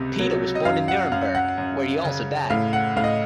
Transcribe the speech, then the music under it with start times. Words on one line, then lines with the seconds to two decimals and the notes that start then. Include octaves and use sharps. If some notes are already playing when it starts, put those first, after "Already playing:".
Peter was born in Nuremberg, where he also died.
Already playing: C#2 C3
0.19 F#3
0.55 D#5
0.65 F#2 F5
0.88 F#5
1.12 F#2 F5
1.35 F#5
1.58 F#2
2.04 C#3
2.50 A2 F5
2.73 F#5
2.96 A2 F5
3.04 D#5